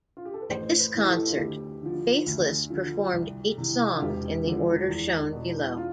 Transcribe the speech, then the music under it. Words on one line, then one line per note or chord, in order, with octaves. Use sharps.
At this concert, Faithless performed eight songs in the order shown below.
F4
G4
A4
B4
A1 C5
B4
A2 E3 G4
A4
F4
D2 G4
D3 F3
D2
D3 F3
C2
C3 E3
F4
E1 G4
E2 D3 F3
E2
B2
F4